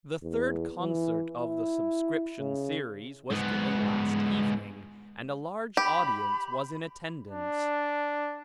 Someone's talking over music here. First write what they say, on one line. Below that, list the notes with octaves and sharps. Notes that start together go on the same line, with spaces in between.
The third concert of the subscription series was given last evening, and a large audience was in attendance.
E2
E3
E4
C#3
G#2 B3
G4 B5
D4